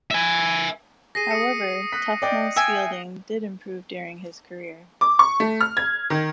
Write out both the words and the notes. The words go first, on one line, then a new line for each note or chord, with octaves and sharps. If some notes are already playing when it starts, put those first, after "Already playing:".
However, Tufnell's fielding did improve during his career.
E5 G#5
G#4 A#6 C7 D#7
D#6 C#7
F#6 B6
D5 D#5 G5
E5 G5 G#5
D6
C#6
A3
F6
G#6
D#3